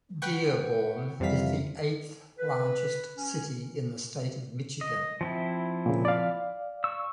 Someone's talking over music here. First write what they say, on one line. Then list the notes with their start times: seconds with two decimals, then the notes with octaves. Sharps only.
Dearborn is the eighth largest city in the State of Michigan.
0.22 B4 F#5 G5 C#6
1.20 F2 C3 E3 G3 F5 B6
2.39 B4
3.18 C#4
4.81 D#5
5.21 F3 C4 E4
5.86 A#2 C#3
6.05 D5 F5
6.84 C#6 E6